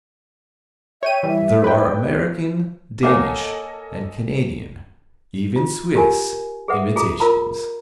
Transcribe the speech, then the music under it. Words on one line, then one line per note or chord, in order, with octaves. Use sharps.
There are American, Danish, and Canadian--even Swiss--imitations.
C#5 E5 G5 D#7
E3 G3
B4 G5
A#3 A4 C#5 D#5 F#5 G#5 D6
F4
F4 G4 A#4 G#5
G#4 A4 B4 E5 F#5
F4 G#4 A4 A#5
F4 A#4 A#5 B5